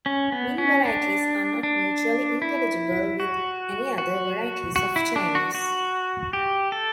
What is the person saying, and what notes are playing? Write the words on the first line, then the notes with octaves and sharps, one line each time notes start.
Min varieties are not mutually intelligible with any other varieties of Chinese.
C#4
B3
C#4
D4
D4
E4
F#4
F#4
F#4
E4
D4
F#4
F#4
G4
A4